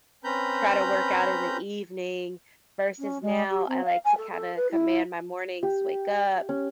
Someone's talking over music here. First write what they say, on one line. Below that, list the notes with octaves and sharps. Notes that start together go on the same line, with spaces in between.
try to work out in the evening versus now I like to kinda command my mornings, wake up,
C4 C#4 B4 A#5 B5 G6
C#4
G#3
G4
C4
F5
G#5
A4
A4
B4
E4
G4
C#4